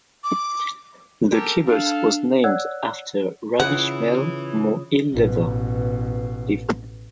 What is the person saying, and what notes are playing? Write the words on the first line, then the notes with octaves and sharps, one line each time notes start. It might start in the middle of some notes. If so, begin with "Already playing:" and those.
The kibbutz was named after Rabbi Shmuel Mohilever.
D6
G4 A4 A#4
D4 A4 F5
C#5 D5 F#5 E6 F#6 G#6
C#3 E3 E4 F4 C#5 F#5 D#6
A1 B2